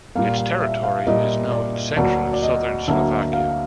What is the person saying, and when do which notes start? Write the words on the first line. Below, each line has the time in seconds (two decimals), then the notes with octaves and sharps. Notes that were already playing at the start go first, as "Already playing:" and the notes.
Its territory is now in central and southern Slovakia.
0.15 A#2 G3 A#3 F5
0.38 F5
0.60 E5
0.83 F5
1.07 A#2 G3 A#3 D#5
1.51 D5
1.97 D2 D3 F#3 A#3 D5
2.33 D5
2.42 D#5
2.88 D2 D3 F#3 A#3 E5
3.33 F5